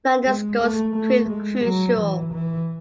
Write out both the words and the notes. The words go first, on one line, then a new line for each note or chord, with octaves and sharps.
London's goals proved crucial.
G#3
A3
A3
G#3
F#3
E3
E3